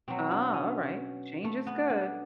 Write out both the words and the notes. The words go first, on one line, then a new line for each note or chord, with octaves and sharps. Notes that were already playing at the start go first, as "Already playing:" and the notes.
Oh, alright, change is good.
B2 F#3 C4
D4
C#4
A3
B3
D4